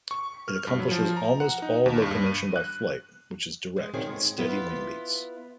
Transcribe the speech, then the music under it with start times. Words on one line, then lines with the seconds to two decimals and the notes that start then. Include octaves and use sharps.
It accomplishes almost all locomotion by flight, which is direct, with steady wing beats.
0.11 C#6
0.48 F6
0.67 G2
0.79 F#3
0.92 F3
1.17 A#5
1.40 F#5
1.62 D#4
1.86 D#2
2.02 G2
2.26 D#7
2.56 F#6
3.76 G#3
3.93 D3 D#3 F#3 A3 C4 G#4
4.06 G#2
4.38 B3 E4 F4 B4